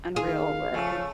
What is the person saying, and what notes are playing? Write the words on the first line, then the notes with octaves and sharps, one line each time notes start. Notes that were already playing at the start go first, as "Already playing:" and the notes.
unreal, where I
D#3 F4 G#4 F5
C#3 F3 A3